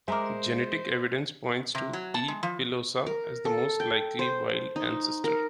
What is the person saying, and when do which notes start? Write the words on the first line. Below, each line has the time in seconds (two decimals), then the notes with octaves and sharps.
Genetic evidence points to "E. pilosa" as the most likely wild ancestor.
0.08 G#3 A#4 C5 E5 G#5 A#5 D6
1.75 C3
1.93 F#3
2.14 A5
2.28 G#3
2.43 F3
3.06 A#4
3.45 A4
3.80 G5
4.19 C5
4.76 D#4
5.24 A#4